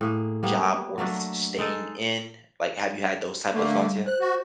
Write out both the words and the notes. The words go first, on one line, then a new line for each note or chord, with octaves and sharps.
job worth staying in? Like, have you had those type of thoughts yet?
A2 A#3 G#4
G3 A#3 B3
F#3 A3 A#3 D4
G#3 D#4 A4
D3 A3 A#3
G3
C5 F#6
F#4